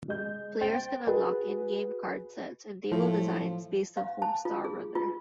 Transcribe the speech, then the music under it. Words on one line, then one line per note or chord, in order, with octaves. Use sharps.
Players can unlock in-game card sets and table designs based on Homestar Runner.
G#3 D#5 G6
C5 G5 A6
F#4 G#4 B4
A2 F3
F5
A5
F4
G#4
F4